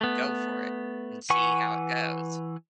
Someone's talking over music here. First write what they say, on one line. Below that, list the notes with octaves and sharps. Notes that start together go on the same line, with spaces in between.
go for it and see how it goes
A3 B3
E3 B4 F#5 G#5 C#6